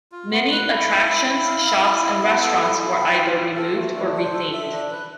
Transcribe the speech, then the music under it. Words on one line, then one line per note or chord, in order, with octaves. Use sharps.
Many attractions, shops, and restaurants were either removed or rethemed.
F4
B3
B4
E4
E5
E4
E4
F5
E4
E4
E4
B3
A4
E4
E4
C4
F4
F4
A4
A3
D4
C5
A4
E5
D4
B4